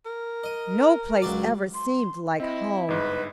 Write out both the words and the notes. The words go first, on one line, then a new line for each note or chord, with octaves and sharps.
No place ever seemed like home.
A#4
D#5
C#2 F#3 D5
C6
C4 E4 D#5
G1 G#2 B4 D#5